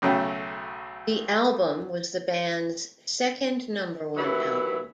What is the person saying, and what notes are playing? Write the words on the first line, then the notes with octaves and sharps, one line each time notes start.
The album was the band's second number one album.
B1 C#3 F#3 A3 G5
D#2 E3 F#3 B4 E5